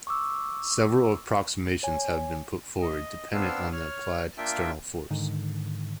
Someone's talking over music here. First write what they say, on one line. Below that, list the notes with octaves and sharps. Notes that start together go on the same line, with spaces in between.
Several approximations have been put forward, dependent on the applied external force.
C#6 D6 E6
C#5 G#5
D#5
B3 C4 D4 F5 E6
C#5 F6
A#3 D4 F4 E5 G5
G#2 D3 D#3